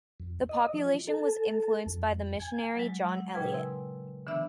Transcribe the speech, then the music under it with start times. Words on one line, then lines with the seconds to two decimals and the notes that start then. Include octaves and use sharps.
The population was influenced by the missionary John Eliot.
0.20 F2
0.49 D#5
0.73 F3
1.07 A4
1.86 F2
2.40 G#5
2.75 F#3 G#3
3.05 F#5 E6
3.33 A#2 C#3 D#4 B4 G5 G#6
3.53 G#5 C6 E6
4.27 D3 E3 B3 D4 E5 E6